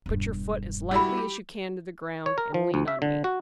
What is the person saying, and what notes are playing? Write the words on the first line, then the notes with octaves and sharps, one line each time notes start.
Put your foot as lightly as you can to the ground, and lean on me.
E1 G2
G3 E4 F#4 B5 E6
G4
C#5
A#4
F3
D2
E5
D3
F#4